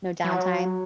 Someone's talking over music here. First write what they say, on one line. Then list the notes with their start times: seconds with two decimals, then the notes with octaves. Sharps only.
No downtime?
0.24 F#3